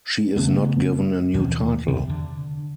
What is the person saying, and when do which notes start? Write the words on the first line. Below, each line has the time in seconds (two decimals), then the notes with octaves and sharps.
She is not given a new title.
0.36 C#3 A3 B3
1.34 D#2 B2 E3 F3
1.88 E2 C3
2.10 D3